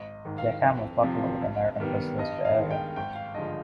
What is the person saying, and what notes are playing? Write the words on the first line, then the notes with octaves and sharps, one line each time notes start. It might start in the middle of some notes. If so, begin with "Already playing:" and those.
The camp was popular with American visitors to the area.
Already playing: G#1 D#5
G#2 D#3
F5
F2
C3 F3
G2
D#3 G3 B3
G2 D#5
F5
D#3 G#3
G5
G#1 G5
F5
G2 D3 F3 G#3 D#5